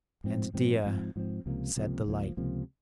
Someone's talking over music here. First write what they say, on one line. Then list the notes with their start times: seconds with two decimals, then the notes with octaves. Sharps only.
And Dea! said the light.
0.24 G#2 F3 C4
0.54 G#2 F3 C4
0.84 G#2 F3 C4
1.16 G#2 F3 C4
1.46 C#2 C3 F3 A#3
1.76 C#2 C3 F3 A#3
2.07 C#2 C3 F3 A#3
2.37 C#2 C3 F3 A#3